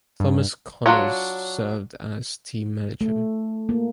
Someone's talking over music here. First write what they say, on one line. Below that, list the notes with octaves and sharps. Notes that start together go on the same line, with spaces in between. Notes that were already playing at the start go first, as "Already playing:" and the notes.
Thomas Connors served as team manager.
G2
F#3 D4 F4 C#5
A3
A#3